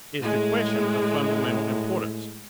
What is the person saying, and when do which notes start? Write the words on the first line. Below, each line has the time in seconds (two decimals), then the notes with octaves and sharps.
Is the question of fundamental importance?
0.22 A2 G#3